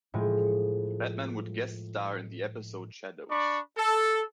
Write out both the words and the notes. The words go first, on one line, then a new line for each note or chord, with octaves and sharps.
Batman would guest-star in the episode "Shadows".
A2 F3 G#3
D4 D5 B5 C#6
A4